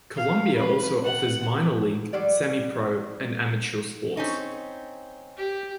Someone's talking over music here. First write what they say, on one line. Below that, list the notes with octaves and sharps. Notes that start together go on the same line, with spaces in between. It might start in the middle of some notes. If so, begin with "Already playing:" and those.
Columbia also offers minor league, semi-pro, and amateur sports.
F5
B4
F#5
F#3 G3 D5
C4 C#4 D#4
G4